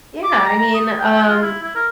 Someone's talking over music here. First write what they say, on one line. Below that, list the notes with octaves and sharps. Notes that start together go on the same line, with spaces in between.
Yeah. I mean, um,
D6
A#5
A#5
D#6
G5
F4
E4
E4
A#4